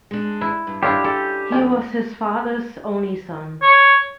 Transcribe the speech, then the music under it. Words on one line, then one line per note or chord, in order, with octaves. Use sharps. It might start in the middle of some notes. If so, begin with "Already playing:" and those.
He was his father's only son.
G#3 D4
E4
G2
G3 D4 E4 F4 G4 A4 C#5
C#4 D4 A4
F2 A#2 C#4 A4 G5
C#5